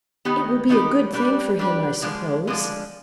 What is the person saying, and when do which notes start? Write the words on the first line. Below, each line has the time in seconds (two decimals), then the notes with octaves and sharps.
"It will be a good thing for him, I suppose."
0.25 D#3 B3 D#4 G4
0.69 D#3 B3 D#4 G4
1.13 G3 D4 G4 B4
1.59 G3 D4 G4 B4
2.02 D3 F3 G#3 D4
2.47 D3 F3 G#3 D4